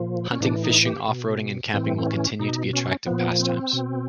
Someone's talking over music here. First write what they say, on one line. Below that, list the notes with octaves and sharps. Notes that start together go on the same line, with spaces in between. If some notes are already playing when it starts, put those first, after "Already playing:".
Hunting, fishing, off-roading, and camping will continue to be attractive pastimes.
Already playing: A#2 F3
C#4
A2 E3 D4
D#4
G4
B2
A2 E3 C4
C4
C#4
B2 D#4
C#4
A#2 F3 B3
C4
B2